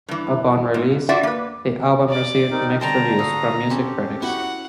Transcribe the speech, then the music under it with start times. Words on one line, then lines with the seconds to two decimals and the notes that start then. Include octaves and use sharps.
Upon release, the album received mixed reviews from music critics.
0.08 G2 E3
0.74 G#2
1.09 D4 F4 F#4 D5 E5
1.23 A#3 B4
2.10 D5
2.51 C4 D#4 A#4
2.81 D3 G3 C5 G5 A5 A#5
3.19 F#4 A4 F5 D#6
3.70 C4 C#4 G4 A4
4.22 E4 F#4 F#5 C#6